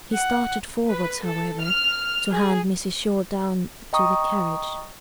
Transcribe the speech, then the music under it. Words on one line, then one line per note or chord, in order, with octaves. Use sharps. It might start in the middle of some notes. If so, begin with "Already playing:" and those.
He started forwards, however, to hand Mrs. Shaw down to the carriage.
F#5
B4
A4
F6
G#4
D#5 G5 A#5 C#6 D#6